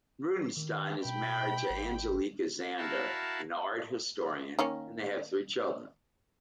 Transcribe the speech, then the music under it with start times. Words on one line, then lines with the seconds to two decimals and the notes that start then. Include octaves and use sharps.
Rudenstine is married to Angelica Zander, an art historian, and they have three children.
0.57 D#3
1.05 B2 G5 B5
1.70 G#1
2.77 E4 F#4 A#4 F5 A5 B5
4.59 D#3 A#3 C#4